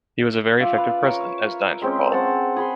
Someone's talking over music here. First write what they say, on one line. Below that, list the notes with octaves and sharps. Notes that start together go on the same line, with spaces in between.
He was a very effective president, as Dines recalled.
F4 D5 E5 F5
B4
A#4 C#5
G#3 C4 C#4
C4 F#5 A5
G#4 B5 C6